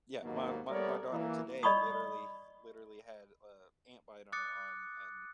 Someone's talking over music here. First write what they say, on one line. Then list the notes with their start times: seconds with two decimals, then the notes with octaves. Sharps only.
yeah, my my my daughter today literally literally had a ant bite on her arm, and
0.22 D#2 G#2 B2 F#3 A#3
0.69 G3 A3 B3 A#4 C#5 D5
1.11 E3 A#3
1.63 D5 D#5 B5 C#6 D#6
4.32 D6 D#6 F#6 A6 C#7